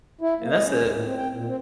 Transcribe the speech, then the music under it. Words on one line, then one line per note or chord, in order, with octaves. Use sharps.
and that's a
E4
A#3
D#5
C#4
D2
A2
C4
G5
A#2
C4